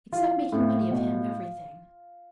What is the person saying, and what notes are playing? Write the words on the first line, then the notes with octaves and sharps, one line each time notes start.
"Except making money of him--everything?"
E3 F4
A2
B2